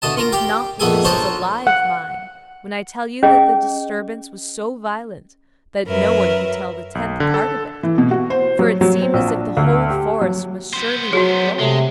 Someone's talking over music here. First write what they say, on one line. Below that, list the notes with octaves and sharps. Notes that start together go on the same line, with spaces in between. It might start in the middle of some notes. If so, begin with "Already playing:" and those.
Think not that this is a lie of mine, when I tell you that the disturbance was so violent that no one could tell the tenth part of it: for it seemed as if the whole forest must surely be engulfed.
D2 B2 D#5 A5
F4 A#4
G4 F5 G5
A#1 F2 B3 G#4 A4 G#5
D4 D#4 F4 A4 C5 C#5
F#5
C#4 G#4 D#5
F#2 A#4 B4 E5
B1
D3
A4
E3
B2
F#4
C5
F#3
F#3
C4
A#1
D4
D2
G4
F#3
B3 C5
F#3 F#4 G#4
C3 G#3 A3